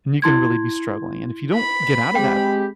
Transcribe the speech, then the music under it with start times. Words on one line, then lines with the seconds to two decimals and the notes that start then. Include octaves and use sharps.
and you can really be struggling and if you don't get out of that,
0.22 E4 C6 G#6
1.55 B5
2.15 G#3 C4 G4 G5